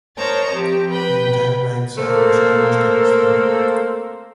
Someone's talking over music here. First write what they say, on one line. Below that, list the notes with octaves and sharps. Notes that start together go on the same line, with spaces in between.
His entire right side was almost extinct.
A#4 C5 C#5 D#5 A5 A#5
F3 C4 G4
B4 G5 B5
A3 A#3 C4 A4 A#4 C5